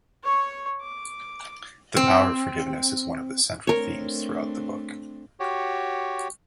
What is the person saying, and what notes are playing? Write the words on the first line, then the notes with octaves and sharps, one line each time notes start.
The power of forgiveness is one of the central themes throughout the book.
C#5 C#6
D6
C4
A3 C4 D4 A#4 C#5
F#4 G4 C#5